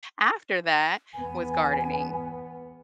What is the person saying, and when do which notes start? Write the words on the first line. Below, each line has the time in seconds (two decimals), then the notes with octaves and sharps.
after that was gardening,
1.13 E2 B3 G#5